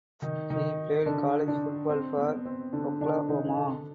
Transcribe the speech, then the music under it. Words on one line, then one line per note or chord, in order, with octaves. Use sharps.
He played college football for Oklahoma.
D#3 D#4
D#3 D#4
D3 D4
D3 D4
C4
B3
C4
D3 D4
D3 D4
D#3 D#4
D#4
D3 D4